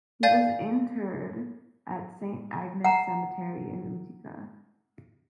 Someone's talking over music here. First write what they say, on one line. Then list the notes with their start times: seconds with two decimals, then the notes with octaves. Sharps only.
He was interred at Saint Agnes Cemetery in Utica.
0.23 D5 F5 G#5 G6 A6
2.85 F#5 A#5